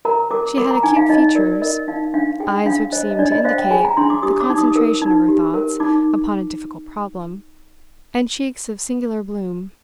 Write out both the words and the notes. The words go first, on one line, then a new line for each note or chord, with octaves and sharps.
She had acute features; eyes which seemed to indicate the concentration of her thoughts upon a difficult problem, and cheeks of singular bloom.
A#4 A#5
A#4 D6
A#4 D6
A#5
D#4 G#5
F5
D#4 D#5
A#4 D5
A#4 D#5
D#4 F5
D4 F5
G#4 G5
D4 F5
C5 D#5
D#5
D4 D5
D#5
C5 F5
G5
G#4 G#5
A#5
D4 C6
D6
G4 D#6
D6
D#4
D#6
A#4
D#4
G4
A#4
D#4 D6